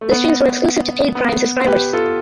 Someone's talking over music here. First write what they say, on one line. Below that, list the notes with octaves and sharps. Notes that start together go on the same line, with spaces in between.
The streams were exclusive to paid Prime subscribers.
A3
B3
B3
G4 B4
F4 A4